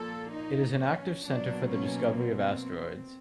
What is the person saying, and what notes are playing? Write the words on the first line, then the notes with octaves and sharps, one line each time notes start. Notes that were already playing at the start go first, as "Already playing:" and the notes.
It is an active center for the discovery of asteroids.
Already playing: A#2 F3 A#3 A4
D#4
C#4
B2 F#3 A#3 D4
C#4
C4